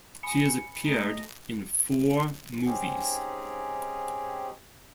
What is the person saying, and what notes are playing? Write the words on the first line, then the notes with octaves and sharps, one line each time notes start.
She has appeared in four movies.
G#5 B5 C#7
B1 A3 D#5 A#5
G#2 C4 C#4 D#4 G4 G#4